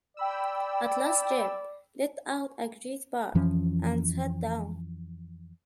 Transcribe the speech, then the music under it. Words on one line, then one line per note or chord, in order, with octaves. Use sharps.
At last Jip let out a great bark and sat down.
D5 G5 B5 E6
F2 E3 F3 C#4